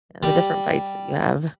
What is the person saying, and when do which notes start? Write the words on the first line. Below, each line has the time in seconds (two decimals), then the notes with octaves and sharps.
Yeah. The different fights that you have.
0.23 G3